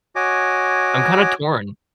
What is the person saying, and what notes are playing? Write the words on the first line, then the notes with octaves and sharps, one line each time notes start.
I'm kinda torn.
F#4 C#5 D#5 G#5 D6